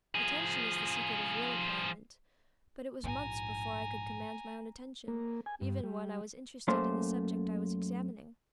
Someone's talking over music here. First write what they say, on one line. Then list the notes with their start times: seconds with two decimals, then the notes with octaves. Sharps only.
Attention is the secret of real acquirement; but it was months before I could command my own attention, even when I was interested in the subject I was examining.
0.15 F3 G#4
3.03 A#1 G#2 G#5 A#5
5.08 A#3
5.46 G#5
5.61 G2
5.83 G3
6.68 F#2 A3 A#3 C5 C6